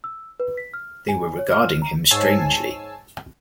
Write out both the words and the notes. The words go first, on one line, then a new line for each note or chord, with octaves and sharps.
They were regarding him strangely.
E6
B4
B6
F6
G#5
C#5
F6
A#5
G#2 C#5 G#5 A5 E6 C7